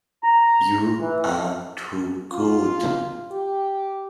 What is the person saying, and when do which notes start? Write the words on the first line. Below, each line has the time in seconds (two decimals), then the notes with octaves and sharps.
You are too good.
0.23 A#5
0.99 E3
2.33 F4
3.32 G4